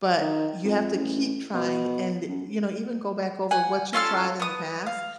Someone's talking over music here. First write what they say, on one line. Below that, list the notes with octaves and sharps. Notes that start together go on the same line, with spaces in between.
but you have to keep trying and, you know, even go back over what you've tried in the past
D#3
F2
A1
B2
F#2
F#5 G#5
C#4 F4 A4 F6
B3 D#6
F5